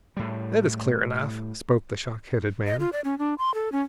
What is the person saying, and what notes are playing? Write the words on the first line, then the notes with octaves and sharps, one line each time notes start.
"That is clear enough," spoke the shock-headed man.
A2 G3
D#5
F4
D5
C#4
D4
C6
A4
C#4